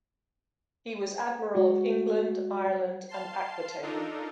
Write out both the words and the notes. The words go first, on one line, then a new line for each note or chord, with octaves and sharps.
He was Admiral of England, Ireland, and Aquitaine.
G#3 F#4
F5 A5 C6 C7
D4 D#4 F4 A4 A#4